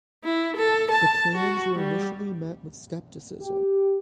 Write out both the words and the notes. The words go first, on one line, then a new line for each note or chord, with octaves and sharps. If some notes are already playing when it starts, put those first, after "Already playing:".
The plans were initially met with scepticism.
E4
A4
A5
F#4
G3
G4